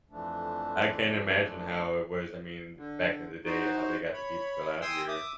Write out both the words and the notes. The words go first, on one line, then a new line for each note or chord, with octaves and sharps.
I can't imagine how it was. I mean, back in the day, how they got the people out here,
F2 E3 F3 A3 D4
D3
D#4 F#4 C5
C#5 B5
G5 G#5 C6 D#6 E6
E5 D6 D#6